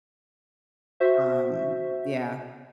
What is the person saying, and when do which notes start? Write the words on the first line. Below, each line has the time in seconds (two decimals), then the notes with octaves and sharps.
um, yeah.
1.00 F#4 C5 E5